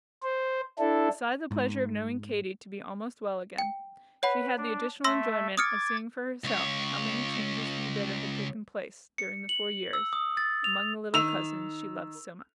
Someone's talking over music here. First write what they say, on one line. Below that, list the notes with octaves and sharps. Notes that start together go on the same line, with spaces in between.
Beside the pleasure of knowing Katy to be almost well again, she had the additional enjoyment of seeing for herself how many changes for the better had taken place, during the four years, among the little cousins she loved so much.
C5
D4 E4 A4
G#2
G5
B4 C#5 F#5 B5
D4
A3 E5 C6 E6 A#6
D6 D#6 F6 G#6 A6 C#7
C#2 C#5
C#7
F#7
E6
D#6
A6
F7
D#3 E6 F7